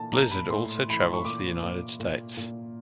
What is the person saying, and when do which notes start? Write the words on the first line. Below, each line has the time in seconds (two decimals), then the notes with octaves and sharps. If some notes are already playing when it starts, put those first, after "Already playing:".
Blizzard also travels the United States.
Already playing: A#2 E3 A5
0.12 A#2 A#5
0.32 B5
0.50 A2 C6
0.87 E3 B5
1.01 C6
1.13 C#6
1.25 A#2 D6
1.62 A#2
2.00 A#2
2.37 A#2